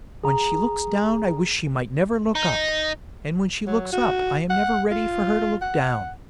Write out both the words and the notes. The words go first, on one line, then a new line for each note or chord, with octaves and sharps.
When she looks down I wish she might never look up, and when she looks up I am never ready for her to look down.
G#4 A#5
D#4
F#3
F#4
F#5
F4
F#5